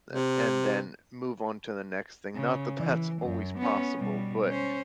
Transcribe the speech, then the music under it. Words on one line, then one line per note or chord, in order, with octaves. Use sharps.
a and then move on to the next thing, not that that's always possible, but
C3
C#3
E3
F#2
B3 C#4
B2 G3
C#4 C5